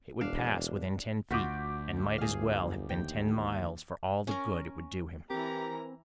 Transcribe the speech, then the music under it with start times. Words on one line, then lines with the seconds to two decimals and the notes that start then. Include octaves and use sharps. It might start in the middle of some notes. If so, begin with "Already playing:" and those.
It would pass within ten feet--and might as well have been ten miles for all the good it would do him.
0.21 E1 D4 F5
1.31 D2 F4 F#4 D6 G6 B6
2.18 G1 G#4 F5
2.90 D#2 G5
4.27 C#4 A#4
5.30 E3 C4 G4 A#4 A#5